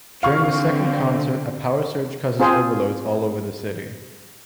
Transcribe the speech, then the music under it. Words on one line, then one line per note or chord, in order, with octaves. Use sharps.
During the second concert, a power surge causes overloads all over the city.
D3 C4 F5 C#6 F6
C4 F4 G#4 C5